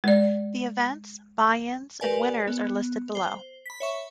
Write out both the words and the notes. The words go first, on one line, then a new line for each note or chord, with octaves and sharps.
The events, buy-ins, and winners are listed below.
G#3 D5
G4 A#4 B4 D5 G#5
B3
C5
B5 B6
C#5 E5 C#6